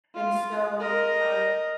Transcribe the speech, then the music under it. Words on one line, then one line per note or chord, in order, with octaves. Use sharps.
And so, um
F4
A#4 D#5